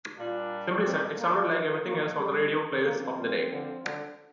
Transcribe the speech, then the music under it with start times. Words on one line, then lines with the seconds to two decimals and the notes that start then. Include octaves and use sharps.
Simply said, it sounded like everything else on the radio playlists of the day.
0.17 A#2 G3 D4 F4
0.84 C4
1.18 A#3
1.51 F3
1.84 A#3
2.17 G3
2.84 F3 A#3 C4 F4
3.18 A#2
3.51 D3
3.85 D3